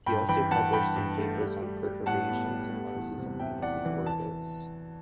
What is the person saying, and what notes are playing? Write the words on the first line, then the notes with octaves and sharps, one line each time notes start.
He also published some papers on perturbations in Mars' and Venus' orbits.
G2 G5 B5
E3 G5 B5
E3 F#5 A5
G2 G5 B5
G2
A3
G3
G3
G3
A2 F#5 A5
B3
G3
A3
E2
C3
C3 E5 G5
E2 D5 F#5
E3
A5